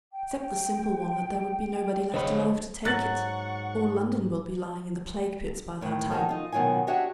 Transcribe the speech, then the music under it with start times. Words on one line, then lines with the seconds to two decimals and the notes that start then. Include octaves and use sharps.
"Except the simple one that there would be nobody left alive to take it. All London will be lying in the plague-pits by that time."
0.13 G5
2.14 D3 C5 C#5 D#5 B5
2.85 G#2 F#3 F#5 C#6 F#6 A6 F#7
5.81 A2 D#3
6.10 D#3 D#4 F#4 G#4 A4 C#5
6.29 D#4 F4
6.52 B2 D#3 F#3 F4 G#5
6.87 D4 F#4 G4 C#5 D#5 E5